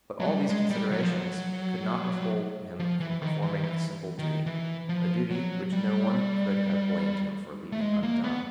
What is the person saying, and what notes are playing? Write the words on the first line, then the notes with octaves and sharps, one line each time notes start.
But all these considerations could not withhold him from performing a simple duty--a duty which no one could have blamed him for leaving undone.
F#3
G3
G#3
G3
F#3
F3
F#3
F3
E3
D#3
E3
D#3
E3
D#3
E3
F3
F#3
G3
A3
G#3
A#3
B3